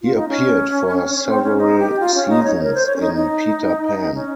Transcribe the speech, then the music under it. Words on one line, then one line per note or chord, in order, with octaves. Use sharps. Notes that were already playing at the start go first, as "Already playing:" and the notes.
He appeared for several seasons in Peter Pan.
F4
D#4
C#4
C#4
C4
C#4
D#4
G4
F4
C#4
D#4
C#5
A#4
C5
C#5
C#4
D#4
D#4
C#4